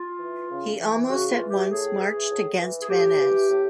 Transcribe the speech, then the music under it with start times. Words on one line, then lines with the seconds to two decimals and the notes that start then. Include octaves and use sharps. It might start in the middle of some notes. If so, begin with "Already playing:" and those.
He almost at once marched against Vannes.
Already playing: F4
0.19 E3
0.50 C#3
0.79 E3
1.09 C#3 F#4
1.29 F4
1.39 E3
1.49 G4
1.69 A2 G#4
1.99 E3
2.29 A2
2.59 E3
2.81 G#4
2.89 A2 G4
3.20 E3
3.49 A2